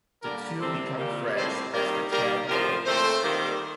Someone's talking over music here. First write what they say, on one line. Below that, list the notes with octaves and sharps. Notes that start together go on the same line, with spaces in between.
The two become friends as the tale unfolds.
D3 G3 A#3 G4 A#4
C3 G3 C4 A4 C5
A#2 G3 A#3
A2 G3 C4 A4 C5
D#3 G3 A#3 G4 A#4
D#3 G3 A#3 G4 A#4
A2 F3 C4 G4 A#4
A#2 A3 C4 A4 C5
D#3 G3 A#3